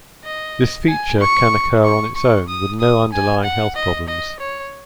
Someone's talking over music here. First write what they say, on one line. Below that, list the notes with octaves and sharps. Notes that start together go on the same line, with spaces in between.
This feature can occur on its own, with no underlying health problems.
D#5
G#5
C#6
C#6
C#6
D#6
D#6
G#5
F#5
D#5
D#5
C#5